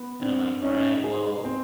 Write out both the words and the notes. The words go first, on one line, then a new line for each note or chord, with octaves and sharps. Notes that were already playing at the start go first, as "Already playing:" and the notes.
And I'm like, "Alright, well"
Already playing: B3
C4 D4
C#4 D#4
G#4
C4